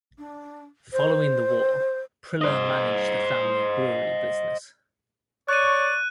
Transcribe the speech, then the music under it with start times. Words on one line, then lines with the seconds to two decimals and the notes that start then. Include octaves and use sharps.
Following the war, Priller managed the family brewery business.
0.18 D4
0.93 C5
2.41 C5 D#5
5.48 C#5 D5 C#6 F#6 D#7